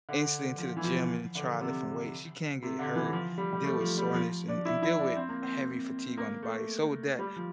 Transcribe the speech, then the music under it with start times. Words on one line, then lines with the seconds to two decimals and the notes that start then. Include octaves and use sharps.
instantly into the gym and try lifting weights, you can get hurt, deal with soreness, and and deal with heavy fatigue on the body. So with that,
0.09 D3
0.58 F3
0.77 E3
0.84 F3
1.35 D3
1.61 C3
2.62 C3
2.79 D3
2.96 E3
3.13 F3
3.38 G3
3.53 G3
3.63 A3
3.81 F3
3.98 G3
4.14 F3
4.48 D4
4.65 E4
4.83 E4
4.99 D4
5.16 C4
5.29 A#3
5.42 C4
6.17 A#3
6.43 A3
7.19 G3
7.36 F3